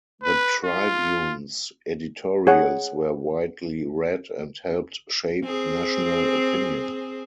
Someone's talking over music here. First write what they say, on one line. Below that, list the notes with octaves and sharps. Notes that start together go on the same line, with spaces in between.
The "Tribune"s editorials were widely read and helped shape national opinion.
B4
F4
G#4 C#5 F#5
C4 G#4